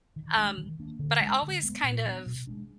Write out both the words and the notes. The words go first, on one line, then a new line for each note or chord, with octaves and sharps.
um, but I always kind of,
D#3
G#3 D4
D#3
A#3 D4
D3
G#3 D4
D3
G#3 B3
A#2
F#3 B3 D4
B2
G#3 B3 D4